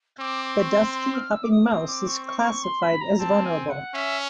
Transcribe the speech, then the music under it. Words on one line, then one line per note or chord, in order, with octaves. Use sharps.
The dusky hopping mouse is classified as vulnerable.
C4 D6
D6
C#6
C6
C6
F6
E6
D6
D#6
D6
C4 D#6
D6
C#6
C#6
D6
C#6
C6
B5
A#5
C4 A5
G#5
F#5
C#4 E5